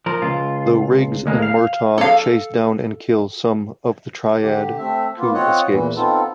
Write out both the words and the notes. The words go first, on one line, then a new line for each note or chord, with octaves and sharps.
Though Riggs and Murtaugh chase down and kill some of the Triad, Ku escapes.
F3 A#4
C#2 F4
D2 G#3 A#3
F5
A4 F5
D3 G4
A3 C4 E5
A#3 B3 F4
C4 F4 C#5 D#5 F#5
E2 A#2 E3
B3 C4 D#4 F4 A4